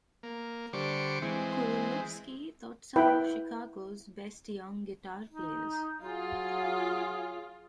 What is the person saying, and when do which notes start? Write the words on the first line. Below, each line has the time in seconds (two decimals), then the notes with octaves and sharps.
Curulewski taught some of Chicago's best young guitar players.
0.23 A#3
0.73 D3 G3 C5 C#6 D6
1.22 E3 G#3 C4
2.96 E4 B4 G5 B5
5.32 D#4
6.02 F#3 F4 G#4